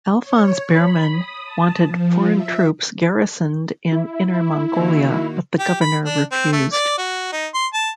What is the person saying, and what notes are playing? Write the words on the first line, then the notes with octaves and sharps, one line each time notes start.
Alfons Bermyn, wanted foreign troops garrisoned in Inner Mongolia, but the Governor refused.
C#5
B5
D#6
A5
F3
E5
E4
D#3 A#3 F#4
G4
B5
D4
C4
A3
D5
F#4
D#4
C6
A5